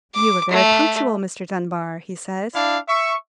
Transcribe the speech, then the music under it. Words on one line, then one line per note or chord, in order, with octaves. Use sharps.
"You are very punctual, Mr. Dunbar," he said.
D6
A3
D4 E4 D5 F5
E5 C#6